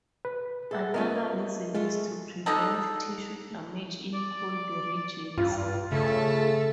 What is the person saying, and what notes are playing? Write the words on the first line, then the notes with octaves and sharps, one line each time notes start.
Another reason is to prevent tissue damage in cold regions.
B4
G#4 A4 E5 F#5
B3 C#4 F4 A#4 D#5 E5
G#3 A3 F4
D3 D#4 A4
D5
G2 F4
C#3 A3 A4